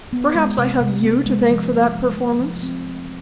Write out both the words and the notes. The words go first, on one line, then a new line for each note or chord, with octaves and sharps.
Perhaps I have you to thank for that performance?
B3
G#3
C3
C3
B3
G#3
F3
F3
F3
A3
F3
C4
F3